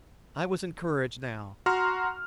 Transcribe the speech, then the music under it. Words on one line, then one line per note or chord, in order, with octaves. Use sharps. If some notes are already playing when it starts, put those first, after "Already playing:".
I was encouraged now.
F#4 A#5 C6 F6